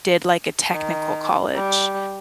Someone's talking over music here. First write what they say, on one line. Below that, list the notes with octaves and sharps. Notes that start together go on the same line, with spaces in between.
did, like, a technical college.
D#3
G3